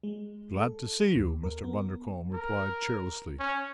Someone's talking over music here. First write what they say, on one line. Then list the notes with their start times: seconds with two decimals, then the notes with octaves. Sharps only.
"Glad to see you!" Mr. Bundercombe replied cheerlessly.
0.03 G#3
0.59 A4
1.15 D#2
1.43 A#4
1.64 B3
2.33 A#4
3.39 C#4